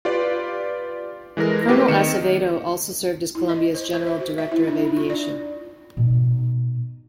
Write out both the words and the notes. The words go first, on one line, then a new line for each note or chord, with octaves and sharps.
Colonel Acevedo also served as Colombia's General Director of aviation.
F4 G4 B4 D5
E3 G#3 A4 A#4
A3 A#3 C4 G4 B4
D#3 D#5 C#7 E7
E4
D#5
C5
C5
E5
F#4
E5
E4
D4
D#4
F4
D5
B2 D#4